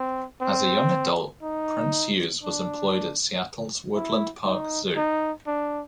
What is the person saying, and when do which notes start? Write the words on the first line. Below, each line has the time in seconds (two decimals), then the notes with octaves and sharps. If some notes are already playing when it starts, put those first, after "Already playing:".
As a young adult, Prince-Hughes was employed at Seattle's Woodland Park Zoo.
Already playing: C4
0.41 C4
1.42 D#4
2.43 D4
3.95 E4
4.45 D#4
4.97 D#4
5.47 D4